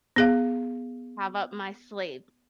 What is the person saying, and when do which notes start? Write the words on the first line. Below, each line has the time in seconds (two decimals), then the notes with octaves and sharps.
have up my sleeve,
0.16 B3 G#4 F5